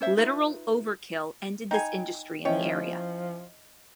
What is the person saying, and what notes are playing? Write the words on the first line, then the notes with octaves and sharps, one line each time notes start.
Literal overkill ended this industry in the area.
C#4 C5 E5
D#4 F4 B4 E5
D#4 G5 G#5 B5
F3 C#4 E4 C#5 D#5 G5